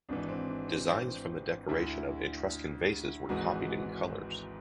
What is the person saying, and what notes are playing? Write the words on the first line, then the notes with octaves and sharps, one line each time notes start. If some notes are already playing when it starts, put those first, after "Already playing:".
Designs from the decoration of Etruscan vases were copied in colors.
G#1 G#2 E3 D4
C4
D4
C4
C4
D2 D3 E4
G#1 G#2 E3 F#4